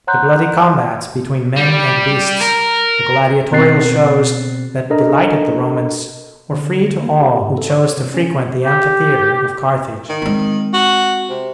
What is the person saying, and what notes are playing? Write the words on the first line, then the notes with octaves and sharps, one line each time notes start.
The bloody combats between men and beasts, the gladiatorial shows that delighted the Romans, were free to all who chose to frequent the amphitheatre of Carthage.
C#5 F#5 A#5 C6 F#6 G6
G3
A#4
B2 C4 F#6 A6 C7
D4 A4 A#4 D#5 A#5
D3
A#3
G4
G#2
A4
C#5
C3
C#4
G4
D#3
G#3 C4
F#4
C3